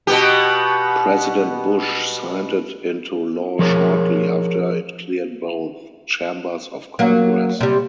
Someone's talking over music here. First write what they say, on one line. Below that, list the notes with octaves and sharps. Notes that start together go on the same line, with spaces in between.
President Bush signed it into law shortly after it cleared both chambers of Congress.
B2 B3 G4
F3 G#4 A#4 C#5
F#3 A#3
C3 G3